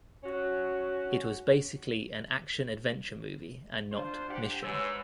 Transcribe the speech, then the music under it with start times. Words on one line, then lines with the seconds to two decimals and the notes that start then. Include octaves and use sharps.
It was basically an action-adventure movie and not "Mission".
0.24 C#4 F#4
3.92 D4 F4 C5
4.30 G4 F#5
4.63 G#2 G#3 B4 C#5 E6